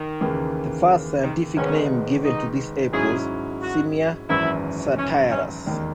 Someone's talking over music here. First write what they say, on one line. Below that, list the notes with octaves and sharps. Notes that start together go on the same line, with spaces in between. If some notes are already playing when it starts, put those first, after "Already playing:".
The first scientific name given to this ape was "Simia satyrus".
Already playing: D#3
D#2 C#3 E3 A#3
D#3
G#1 G#2 D#3 G#3 B3 C#4
D#4
G#2 F#3 C#4 E4 G#4
F#4
G#1 F#2 E3 E4
C#4
C#4
E1 D#2 D#3 A#3